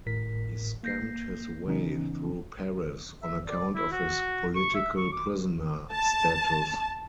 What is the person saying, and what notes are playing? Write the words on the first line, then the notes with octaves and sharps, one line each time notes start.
He scammed his way through Paris on account of his 'political prisoner' status.
G#1 A2 A#4 B6
A#3 G6 A#6 C7
C#3 E3 B3 C#4 D#4
E5
D5
E4
F#4
C#6
E5
C#6
D6
A5